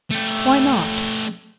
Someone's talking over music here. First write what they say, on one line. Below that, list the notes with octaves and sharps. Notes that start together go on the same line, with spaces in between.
"Why not?"
A3 G4